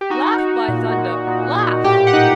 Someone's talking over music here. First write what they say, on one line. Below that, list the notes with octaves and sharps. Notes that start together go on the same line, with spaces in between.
Laugh, by thunder, laugh!
G4
D#4 F#4
D#4
A#2
A#2
A#2
A#2
A2 G4
F#5
D#4